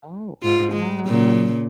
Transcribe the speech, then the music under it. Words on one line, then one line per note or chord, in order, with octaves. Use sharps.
Oh, um
G#2 F4
G#3
A#2 C#3